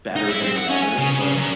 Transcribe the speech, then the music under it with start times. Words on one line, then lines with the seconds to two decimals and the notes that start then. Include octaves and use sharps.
better than the other, but
0.16 D#4
0.29 E4
0.42 C4
0.56 F#5
0.69 C#4
0.81 G#5
0.98 C#3
1.14 C#3
1.36 F#2